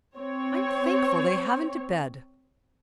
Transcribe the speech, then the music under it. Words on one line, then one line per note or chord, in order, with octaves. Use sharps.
I'm thankful they haven't a bed.
C4 C#5